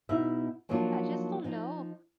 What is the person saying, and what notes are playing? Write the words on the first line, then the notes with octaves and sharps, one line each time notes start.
I just don't know.
B2 D#4 E4 E5
F3 F#3 A#3 D4 D#4 F4
F3 D#4